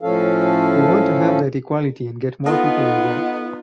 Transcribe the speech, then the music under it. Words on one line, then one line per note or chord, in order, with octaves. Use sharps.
We want to have that equality and get more people involved.
A2 F3 C#4 A4 F5
B3 D#4 F4 A4 D#5 F#5